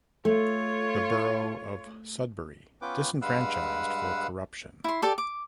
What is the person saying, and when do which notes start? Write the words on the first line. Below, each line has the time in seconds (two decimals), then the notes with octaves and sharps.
The Borough of Sudbury disenfranchised for corruption.
0.25 A3 F4 C#5
2.82 B3 C#4 F4 B4 G5 D6
3.22 G2 G#3 B4 F5 F#5 E6
4.84 E4 C6
5.02 G4 A4 D5
5.18 D6